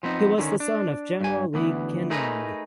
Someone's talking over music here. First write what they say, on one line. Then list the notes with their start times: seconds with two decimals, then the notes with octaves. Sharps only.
He was the son of General Li Kenong.
0.03 F3 B3 C4 D#4
0.38 D3 D#3 C4 C#4
0.60 D4
1.21 G2 G#5
1.54 D2 E3 B3
2.10 A3 D#4 G#4 A#4 B4